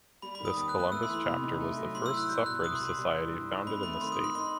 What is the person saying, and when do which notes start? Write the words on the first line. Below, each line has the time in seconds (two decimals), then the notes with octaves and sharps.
This Columbus chapter was the first suffrage society founded in the state.
0.22 G3 B5
0.35 B5
0.40 D#3
0.45 D#6
0.57 D#2 D#6
0.69 F#6
0.74 B3
0.80 F#6
0.92 A3 E6
1.03 C6
1.09 E3
1.14 B5
1.26 C3
1.43 D#4
1.60 A3
1.78 F#3
1.95 A2 C6
2.06 E6
2.12 E4
2.17 F#6
2.29 G3 G6
2.46 B2 F#6
2.63 C2 D#6
2.75 C2 C6
2.98 G3
3.15 E3
3.32 G2
3.49 D#4
3.67 C4 B5
3.83 A3 B5
4.01 D#3 C6
4.12 D#6
4.18 D#3
4.24 C6
4.35 D#4 C6